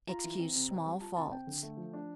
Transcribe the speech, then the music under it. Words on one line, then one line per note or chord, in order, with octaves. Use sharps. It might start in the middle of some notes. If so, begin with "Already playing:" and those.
Excuse small faults.
F4 A#5
E3
C4
C3
C4
G3
F4 A5
C3 A5
C4 G5
D3
A3
F3
D4